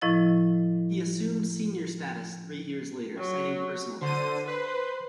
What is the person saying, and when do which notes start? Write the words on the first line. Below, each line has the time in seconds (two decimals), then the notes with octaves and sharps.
He assumed senior status three years later, citing personal reasons.
0.01 A2 F3 E4 D#5 A6
3.17 F#3
4.01 D3 C5 D#7
4.47 B4 C5